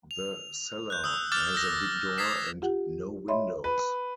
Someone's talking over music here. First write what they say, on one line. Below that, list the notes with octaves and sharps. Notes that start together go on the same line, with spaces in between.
The cellar has a big door and no windows.
F7
F#6 G6
D#6 E6
D6 F6 G6 A6
E6 G6 A#6
D#6 G#6 A6 B6 C7 E7
F4 G4 F#5
C#5 D#5 E5 B5 C6
B4